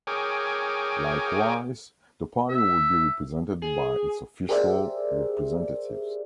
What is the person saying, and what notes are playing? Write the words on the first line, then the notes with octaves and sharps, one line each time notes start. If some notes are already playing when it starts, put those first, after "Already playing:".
Likewise, the party would be represented by its official representatives.
G#4 A#4 C#5 G5 G#5 D6
E5
G#4
G4 G#4 A#4 C5 D5 E5